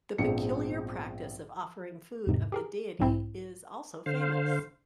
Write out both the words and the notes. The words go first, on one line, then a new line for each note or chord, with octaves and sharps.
The peculiar practice of offering food of the deity is also famous.
A#1 G#2 F3 B3 C4 C#7
E2 G#2 C3
G4 G#4 A#4
B1 G#2 C4 E4
D3 C5 F5